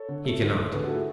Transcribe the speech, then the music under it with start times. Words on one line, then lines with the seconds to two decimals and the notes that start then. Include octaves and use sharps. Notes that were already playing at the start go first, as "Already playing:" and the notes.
He cannot.
Already playing: A4 C#5
0.08 D3
0.25 A3
0.41 D3
0.57 A3
0.73 D3 G#4 B4
0.84 F#4 A4
0.89 A3
0.95 E4 G#4